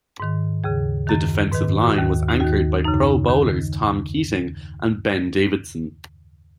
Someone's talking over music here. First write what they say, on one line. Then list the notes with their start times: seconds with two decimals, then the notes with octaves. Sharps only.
The defensive line was anchored by Pro Bowlers Tom Keating and Ben Davidson.
0.20 G#2 D#3
0.64 D#2 C#3 G#4
1.07 F#2 D#3
1.52 G#2 D#3 B4
1.82 F#4
1.96 D#2 D#3
2.29 D#4
2.40 D#2 D#3 F#4
2.85 F#2 C#3 D#4
3.29 D#3